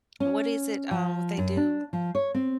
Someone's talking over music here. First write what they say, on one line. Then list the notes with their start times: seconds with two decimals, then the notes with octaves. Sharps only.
what is it? Um, what they do
0.20 C#4
0.91 F3
1.38 F#2
1.57 D4
1.93 F3
2.15 C#5
2.34 C4